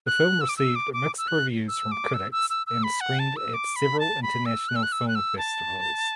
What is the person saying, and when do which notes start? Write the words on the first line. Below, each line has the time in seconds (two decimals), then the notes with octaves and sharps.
The film received mixed reviews from critics and screened at several international film festivals.
0.07 F#6
0.41 E6
0.49 D6
0.57 E6
0.76 D6
0.93 D6
1.18 E6
1.28 F#6
1.68 E6
1.92 D6
2.14 E6
2.32 E6
2.50 E6
2.67 E6
2.83 B5
3.01 F#5
3.19 A5
3.37 E6
3.54 D6
3.76 B5
4.00 A5
4.23 B5
4.46 E6
4.69 F#6
4.76 E6
4.83 F#6
4.92 E6
5.08 F#6
5.15 E6
5.38 A5